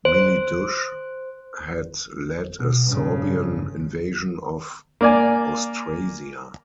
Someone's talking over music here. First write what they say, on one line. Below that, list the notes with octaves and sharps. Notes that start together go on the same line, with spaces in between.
Miliduch had led a Sorbian invasion of Austrasia.
C5
B2
G2 C#3
A#3 D5 G#5